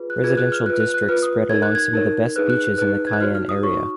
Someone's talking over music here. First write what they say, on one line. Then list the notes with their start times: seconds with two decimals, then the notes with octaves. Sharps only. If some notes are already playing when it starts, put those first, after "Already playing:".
Residential districts spread along some of the best beaches in the Cayenne area.
Already playing: F4 G#4 B4
0.10 F#6
0.24 F4 G#4 B4 G#6
0.37 F#6
0.52 F6
0.66 F4 B4 F#6
0.80 F#6
0.94 F#6
1.08 F4 B4 F6
1.23 D#6
1.50 D#4 A#4 C#5 G#6
1.62 F#6
1.75 G#6
1.93 D#4 A#4 C#5
2.36 D#4 G#4 B4 F#6
2.50 F#6
2.64 F#6
2.78 D#4 G#4 B4 F#6
3.07 G#6
3.13 F#6
3.20 D#4 F#4 C#5 F6
3.35 F6
3.49 D#6
3.63 D#4 F#4 C#5 C#6